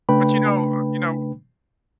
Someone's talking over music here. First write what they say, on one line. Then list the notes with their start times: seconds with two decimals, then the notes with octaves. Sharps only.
But, you know, uh, you know
0.09 C#3 A3 D4 B4 G5 B5